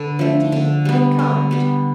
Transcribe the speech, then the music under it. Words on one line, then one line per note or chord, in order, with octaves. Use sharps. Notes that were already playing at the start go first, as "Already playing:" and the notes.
'Indeed, I can't.
Already playing: D3 A4 B4
F3 A3
D3
G3 B3
D3
G3 B3